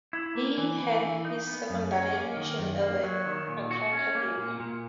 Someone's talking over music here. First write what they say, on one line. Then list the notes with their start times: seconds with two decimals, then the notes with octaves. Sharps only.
He had his secondary education at the Accra Academy.
0.13 E4
0.35 A#3
0.58 E3
0.80 E3
1.03 E3
1.25 D#4
1.47 B3
1.70 F#2
1.92 C#4
2.14 A#3
2.37 D#3
2.59 F#2
2.81 A#3
3.03 F#3
3.26 D#3
3.48 A#2
3.71 F#4
3.93 C#4
4.15 A#3
4.37 A#2
4.60 A#2